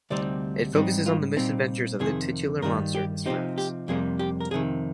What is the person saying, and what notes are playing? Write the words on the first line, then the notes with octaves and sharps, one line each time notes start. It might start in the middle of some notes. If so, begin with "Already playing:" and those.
It focuses on the misadventures of the titular monster and his friends.
D2 C3 G3 C4 D#4 D5
G#2 G3 C4 D#4
F4
A#2 G3 C4 D#4
F2 C3 D#3 G#4
G2 D#3 G3 A#4
G4
C3 F3 C4 D#4 G4
G4
F2 C3 G3 A#3 G#4
G4
A#4
F2 C3 D#3 G#4